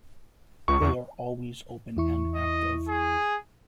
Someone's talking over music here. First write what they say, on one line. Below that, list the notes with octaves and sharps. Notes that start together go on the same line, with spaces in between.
They are always open and active.
C#2 C#6
E2
E2 E4 C#6
D#5
G#4